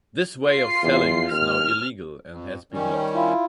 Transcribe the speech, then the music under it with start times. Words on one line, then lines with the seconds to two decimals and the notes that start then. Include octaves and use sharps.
This way of selling is now illegal, and has been lost.
0.49 F4 C7
0.83 E2
1.31 D#2 F6
2.30 F2
2.72 D#3 G3 C#4
3.15 E4 F4